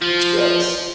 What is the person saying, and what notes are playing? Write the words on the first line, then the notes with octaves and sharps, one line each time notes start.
it's gross.
F3